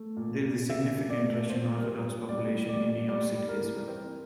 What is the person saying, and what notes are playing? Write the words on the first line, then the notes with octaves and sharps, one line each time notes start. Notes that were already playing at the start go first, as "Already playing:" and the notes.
There is a significant Russian Orthodox population in New York City as well.
Already playing: A3
A#2
A#2
C4 E5
A#2
D5
A3
A#2 C5
G3 A#4
A#2
G3 D5
G3
D5
A#2
G3 D5
G3
A#4
E3
C4